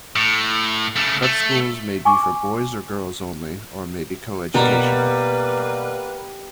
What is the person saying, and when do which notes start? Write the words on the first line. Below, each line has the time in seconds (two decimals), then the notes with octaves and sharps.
Prep schools may be for boys or girls only, or may be co-educational.
0.16 A2
0.96 C#3 A3
1.23 A3
2.05 G#5 C#6 D6
4.54 B2 G3 A#3 B4 A#5